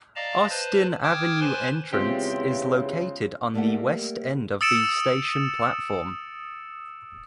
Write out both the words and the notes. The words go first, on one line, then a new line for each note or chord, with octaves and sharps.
Austin Avenue Entrance is located on the west end of the station platform.
D5 D#5 F5 A5 A#5
B4 C5 A5
G5 A5 D6 D#6 F6 G#6
B4 C5 G#5 A5 C6
E2 C#3 G#3 C4 F4 G4
G3 A3 A#3 G4 F#5
D#6 E6 A6 C#7 D7 E7